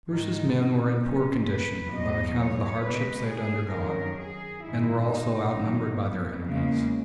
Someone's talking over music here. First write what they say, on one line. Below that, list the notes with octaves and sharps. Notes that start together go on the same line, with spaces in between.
Bruce's men were in poor condition on account of the hardships they had undergone and were also outnumbered by their enemies.
G#2 D#3 G#3 D#4
B2 F#3 C#4
B4
E2 B2 F#3 D#5
C#5
B2 G#3 B4
G#4
F#2 D#3 F#3 A#4
G#4
G#2 D#3 G#3 E4
D#4
F#2 D#3 F#3
B3
E2 C#3 G#3 A#3